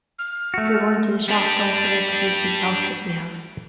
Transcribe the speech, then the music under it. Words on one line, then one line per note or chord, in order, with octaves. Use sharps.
If your going to the shop don't forget to take those vouchers we have.
F6
A3 F#4
G3 D4